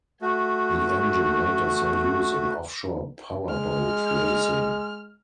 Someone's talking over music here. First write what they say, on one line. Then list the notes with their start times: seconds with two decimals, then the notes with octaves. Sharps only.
The engine later saw use in offshore powerboat racing.
0.21 A3 F#4
3.49 G#3 F6